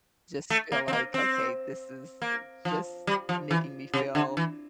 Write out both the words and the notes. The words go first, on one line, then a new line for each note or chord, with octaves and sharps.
just feel like, "Okay, this is, eh, just making me feel
A3
A#3
C4
A#3
C4
A#3
F3
G3
F3
E3
C3
D3
E3